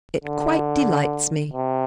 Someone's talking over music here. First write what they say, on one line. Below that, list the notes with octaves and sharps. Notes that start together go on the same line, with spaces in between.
It quite delights me.
D3
C3